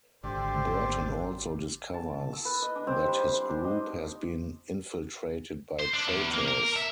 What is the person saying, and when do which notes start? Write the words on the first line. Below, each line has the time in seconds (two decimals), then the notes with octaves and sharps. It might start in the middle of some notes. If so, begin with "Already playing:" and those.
Burton also discovers that his group has been infiltrated by traitors.
0.23 G#1 D3 G4 C5
1.94 A5
2.10 A5
2.33 E6
2.45 B4
2.62 D#5
2.75 D4
2.87 C4
3.05 G3
3.20 C6
3.32 C5
3.49 D4
3.64 D#5
5.80 C5
5.94 D4
6.07 E2
6.34 A#3
6.48 A#4
6.76 E5